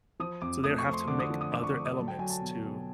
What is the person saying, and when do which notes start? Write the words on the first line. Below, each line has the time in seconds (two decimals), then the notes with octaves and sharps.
so they would have to make other elements to
0.20 F3 D#6
0.42 F2 D6
0.64 A3 D#6
0.78 C#6
0.86 F3
0.93 C6
1.07 D3 D6
1.20 D#6
1.30 F3
1.41 D#6
1.52 D3 D6
1.64 C#6
1.74 D3 D6
1.86 D#6
1.97 F#3 A5
2.08 G5
2.19 F#3 G#5
2.30 A5
2.41 B2
2.63 B2